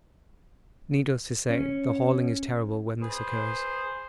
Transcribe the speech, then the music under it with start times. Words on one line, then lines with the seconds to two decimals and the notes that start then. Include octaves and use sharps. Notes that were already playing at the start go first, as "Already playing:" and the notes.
Needless to say, the hauling is terrible when this occurs.
1.50 C#4
3.02 G#4 B4 C5